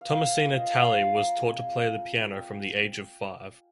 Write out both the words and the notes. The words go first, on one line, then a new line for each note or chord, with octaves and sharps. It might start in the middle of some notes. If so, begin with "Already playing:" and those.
Thomasina Talley was taught to play the piano from the age of five.
F5
A#3 F4 G5
F5
D#5
F5
G#5
A#5
G#3 C4 F4 G#5
G#5
G5